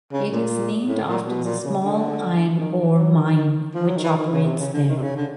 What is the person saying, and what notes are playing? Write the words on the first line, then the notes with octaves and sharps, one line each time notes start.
It is named after the small iron ore mine which operates there.
C#3
A#2
A2
A#2
B2
A#2
C#3
D3
E3
D#3
E3
F#3
D#3
D#3
F3
F#3
D#3
E3
D#3
C#3
C3
C#3
D3
D#3
C3
C#3
D3